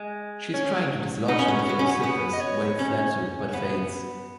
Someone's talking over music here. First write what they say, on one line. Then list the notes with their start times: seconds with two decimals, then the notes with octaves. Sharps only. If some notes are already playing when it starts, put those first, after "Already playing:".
She is trying to dislodge him from Cyprus, where he fled to, but fails.
Already playing: G#3
0.54 C#4
1.28 B3 D#4
1.39 C#4
1.48 B3
1.59 C#4
1.66 B3 F#4
1.79 C#4
1.89 B3
2.03 B3
2.33 D#5
2.41 C#5
2.79 C#4
3.48 C#5
3.53 B3 B4